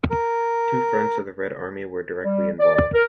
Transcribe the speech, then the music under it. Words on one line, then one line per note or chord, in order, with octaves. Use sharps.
Two Fronts of the Red Army were directly involved.
A#4
G3
D5
D5
A#4